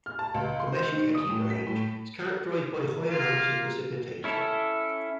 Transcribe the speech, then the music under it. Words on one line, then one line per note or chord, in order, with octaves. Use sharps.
The Meskheti Range is characterized by high amounts of precipitation.
F6
A5
C#2
C6
C5
D#3
D#6
A2
B6
A2
A#3 F4
C#4 E4 A4